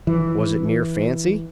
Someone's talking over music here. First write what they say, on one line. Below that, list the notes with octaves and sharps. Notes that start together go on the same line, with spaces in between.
Was it mere fancy?
E3